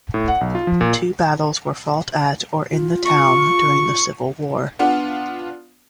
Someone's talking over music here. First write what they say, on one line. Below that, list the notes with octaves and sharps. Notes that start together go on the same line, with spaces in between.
Two battles were fought at or in the town during the Civil War.
A2
F#5
B1
F4
F3
A#2
F4
C#6
B3 D4 F4